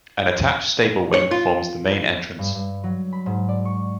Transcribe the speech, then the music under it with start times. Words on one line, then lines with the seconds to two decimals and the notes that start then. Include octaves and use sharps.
An attached stable wing forms the main entrance.
1.14 C#5
1.31 F4
2.39 G2
2.55 G2
2.84 F#3
3.13 B5
3.26 G#2
3.49 D5
3.65 C#6